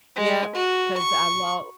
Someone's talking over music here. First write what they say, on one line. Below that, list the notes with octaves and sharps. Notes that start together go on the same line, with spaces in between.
Yep. 'Cause I los
G#3
F#4
C#6